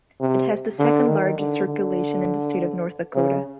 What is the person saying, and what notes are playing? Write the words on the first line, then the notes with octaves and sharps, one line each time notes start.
It has the second largest circulation in the state of North Dakota.
C3
D3
D#3
D3
D3
C#3